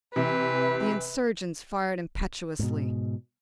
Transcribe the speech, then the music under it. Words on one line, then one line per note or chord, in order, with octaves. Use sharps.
The insurgents fired impetuously.
C3 E3 B4
G#2 B2